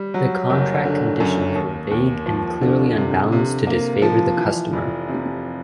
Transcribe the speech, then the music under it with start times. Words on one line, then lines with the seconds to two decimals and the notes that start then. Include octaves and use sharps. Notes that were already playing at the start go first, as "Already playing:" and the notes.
The contract conditions were vague and "clearly unbalanced to disfavor the customer".
Already playing: G3
0.14 F#3
0.50 F#1
0.85 D3
1.20 F#2
1.55 D#2
1.91 D#2
2.26 F3
2.61 D3
2.97 C3
3.32 C3
3.67 A#3
4.02 F3
4.38 E3
4.73 F1
5.09 C3